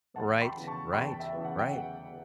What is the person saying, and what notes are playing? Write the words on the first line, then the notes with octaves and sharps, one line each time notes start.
Right, right, right.
E2 F#5 A5
G5 B5
C#3 E3 B3
A5 C#6
E2 G5 B5
A5
E5 G5
C#3 E3 B3
F#5
G5
E2 F#5
B3